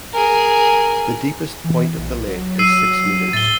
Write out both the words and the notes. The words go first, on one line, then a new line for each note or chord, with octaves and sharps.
The deepest point of the lake is six meters.
G#4 A#4
E3
B1
F#3
E6 C7 D#7
A2 A6 G7